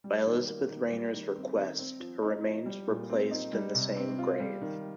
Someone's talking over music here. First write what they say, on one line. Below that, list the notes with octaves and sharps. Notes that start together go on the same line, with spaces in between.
By Elizabeth Rayner's request, her remains were placed in the same grave.
G3
D#3
A#3
D#3
G3
D#3
C4
D#3
C4
F3
D#4
F3
G3
A#2
C4
D#4
G3
C3
C4
F4
G3
D#3